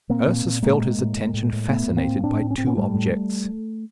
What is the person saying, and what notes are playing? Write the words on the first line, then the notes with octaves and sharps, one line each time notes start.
Ursus felt his attention fascinated by two objects.
A#2 A#3 C4
A#2
A#2
A2 G#3 A#3
A2
A2
A2
A2
A2
A2 A3 B3
A2
A#3 C4
A2
A2 C4 D4
A2
C#4
A2 C4
B3 C#4
A2 G3 A3
A2